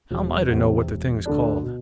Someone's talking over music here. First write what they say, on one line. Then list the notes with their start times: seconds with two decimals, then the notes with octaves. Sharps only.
'How am I to know what the thing's called?
0.11 E1
0.49 E2 C3
0.87 E1
1.26 D2 D3 A3 D4
1.63 B2